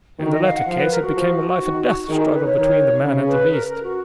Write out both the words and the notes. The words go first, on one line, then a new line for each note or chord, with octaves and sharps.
In the latter case it became a life and death struggle between the man and the beast.
D#3 F#4
D#5
F5
F#5
F3 F5
B4
A#4
F#4
F3
D#3
D#3 G#4
A#4
B4
C#5
D#3
C#3
B4
A#4
A#4
F#4